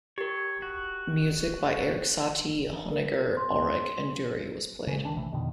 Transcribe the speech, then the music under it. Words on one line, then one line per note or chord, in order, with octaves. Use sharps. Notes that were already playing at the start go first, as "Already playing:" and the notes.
Music by Erik Satie, Honegger, Auric and Durey was played.
G4 A#4 C#5
F#4
A#4
C6
C#3 G#3
D2 D#3 G3 D4
A#1 C3 E3 A3
F2 B2 D3 D#3